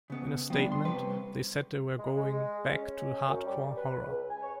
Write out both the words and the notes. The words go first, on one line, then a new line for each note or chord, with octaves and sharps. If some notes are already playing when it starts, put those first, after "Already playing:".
In a statement, they said they were "going back to hard-core horror".
C#3 B3
F3 G3 B3 D4
C6
C3 B4
G#3
G#3
C#4
F#2
G3
B4
C#2
G#5
C#5